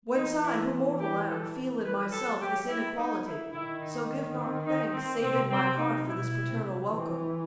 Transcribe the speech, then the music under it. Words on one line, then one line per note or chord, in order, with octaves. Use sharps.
Whence I, who mortal am, feel in myself This inequality; so give not thanks, Save in my heart, for this paternal welcome.
E3 D#4
E4
G4
A4
F#3 B4
A4
G4
E4
D#4
E4
D#3 E4
D#4
C4
D#4
C4
C3 C4
C4
D#4
B2 E4
C3
E3 C4